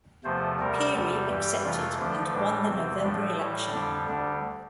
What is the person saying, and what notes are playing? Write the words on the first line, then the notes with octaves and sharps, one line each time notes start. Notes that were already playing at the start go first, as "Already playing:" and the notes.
Peery accepted, and won the November election.
E2 C3 F3 A3 C5
D2 C3 G3 A#4
E2 C3 G3 A4
G2 E3 G3 G4
F2 C3 E3 A3 F4
D2 D3 F3 A3 D4
A2 E3 G3 D4
E2 C3 E3 C4
A2 F3 A3 D4
A2 G3 E4
F2 D3 G3 D4
D2 D3 G3 D4